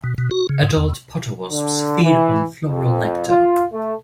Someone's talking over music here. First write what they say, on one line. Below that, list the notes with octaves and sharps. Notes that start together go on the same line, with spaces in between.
Adult potter wasps feed on floral nectar.
B2
B2
F#4
C#3
G#2
E2
D3
E3
F2
F4
A3